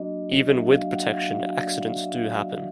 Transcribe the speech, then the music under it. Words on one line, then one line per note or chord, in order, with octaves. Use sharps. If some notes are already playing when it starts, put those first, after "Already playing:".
Even with protection, accidents do happen.
Already playing: F#3 A#3 D4 F#4 D#5
F#3 A#3 D4 F#4 E5
F5
F#5
F5
F#3 A#3 D4 F#4 E5
D5
E5
E5
F#3 A#3 D4 F#4